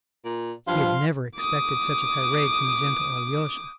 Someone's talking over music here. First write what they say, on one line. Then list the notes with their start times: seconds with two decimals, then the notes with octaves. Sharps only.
He had never expected such a tirade from the gentle Alyosha.
0.25 A#2
0.67 G2 F3 F5 C6
1.36 D6 D#6